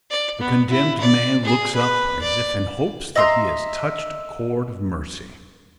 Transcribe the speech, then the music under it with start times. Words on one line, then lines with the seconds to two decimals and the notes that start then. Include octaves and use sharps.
The condemned man looks up, as if in hopes that he has touched a chord of mercy.
0.10 D5
0.41 B3
0.69 E4
1.00 D5
1.44 G#4
1.75 B4
2.21 D5
3.16 D#5 E5 A#5 C6